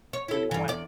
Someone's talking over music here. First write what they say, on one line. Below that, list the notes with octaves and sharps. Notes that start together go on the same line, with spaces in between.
really went,
C#5
E4 A4
G2 E3
E2 D5